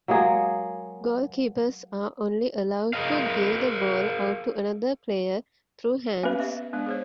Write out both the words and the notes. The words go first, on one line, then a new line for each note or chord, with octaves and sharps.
Goalkeepers are only allowed to give the ball out to another player through hands.
F#3 G#3 A#3 G#4
G#4 A#4 D#5 F5
A#3 B3 C#4 B4
G4 D#5 E5
G#3 B3 D4
G#4 C5 C#5